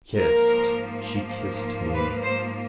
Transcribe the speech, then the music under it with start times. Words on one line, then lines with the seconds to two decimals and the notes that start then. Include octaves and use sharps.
Kissed, she kissed me.
0.17 G#2 F3 A#3 A#4
1.94 B4
2.23 C5